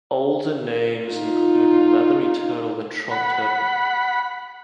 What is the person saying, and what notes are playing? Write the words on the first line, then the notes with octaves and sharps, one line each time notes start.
Older names include "leathery turtle" and "trunk turtle".
D#4 F4
F#5 B5